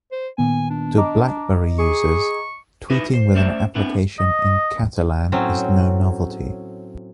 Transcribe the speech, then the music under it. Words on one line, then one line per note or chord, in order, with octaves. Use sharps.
To BlackBerry users, tweeting with an application in Catalan is no novelty.
C5
A#2 D#3 B3 G#5
D4
D#5 A#5 D6
G#4 C#6
D#4 E4 F#4 B4
C5
A3 C#4 C5 D5 E5
B3 C4 D4 E4
D#5
A2 F#3 C4 C#4